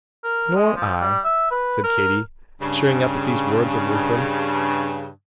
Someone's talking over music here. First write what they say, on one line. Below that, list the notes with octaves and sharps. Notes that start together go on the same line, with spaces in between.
"Nor I," said Katy, cheering up at these words of wisdom.
A#4
G#3
F3
G3
E5
B4
A#4
G2 C#3